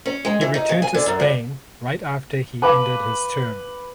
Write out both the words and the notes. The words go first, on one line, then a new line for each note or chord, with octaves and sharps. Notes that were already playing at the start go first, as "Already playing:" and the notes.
He returned to Spain right after he ended his term.
C#4
G#3
E3
D#4
C#3
G#5
D3
F#2
G2
B4 F5 A5 D6